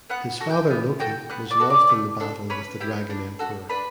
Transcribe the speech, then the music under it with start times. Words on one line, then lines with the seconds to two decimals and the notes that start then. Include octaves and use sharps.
His father Loki was lost in battle with the Dragon Emperor.
0.10 B3 F#5 F#6
0.41 F#4 A4
0.49 G5 G6
0.71 B3
1.00 F#4 A4 G5 G6
1.30 B3 F#5 F#6
1.50 D5 D6
1.60 F#4 A4
1.70 D5 D6
1.89 A3
2.20 D4 A4
2.50 C#4 B4 B5
2.80 E4 G4
3.10 D4
3.39 F#4 A4
3.69 D4 B4 B5